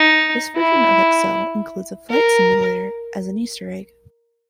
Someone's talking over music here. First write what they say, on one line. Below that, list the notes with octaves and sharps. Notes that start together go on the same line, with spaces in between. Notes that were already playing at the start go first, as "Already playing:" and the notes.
This version of Excel includes a flight simulator as an Easter Egg.
Already playing: D#4
E4
A#4